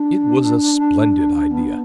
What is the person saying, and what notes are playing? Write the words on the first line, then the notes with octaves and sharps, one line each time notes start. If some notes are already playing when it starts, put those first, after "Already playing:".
It was a splendid idea!
Already playing: D4
B3